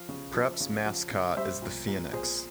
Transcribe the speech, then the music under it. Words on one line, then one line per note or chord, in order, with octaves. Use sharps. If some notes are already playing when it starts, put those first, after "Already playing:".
Prep's mascot is the Phoenix.
Already playing: F3 F5
C#3
F3
C#3
F3
C#3
G3 C5 E5
A#2
A#2
A#2 G#4 C5